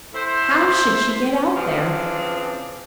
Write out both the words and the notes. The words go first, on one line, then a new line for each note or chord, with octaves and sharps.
How should she get out there?
E4 A4 C5
C#3 E3 F3 C4 D4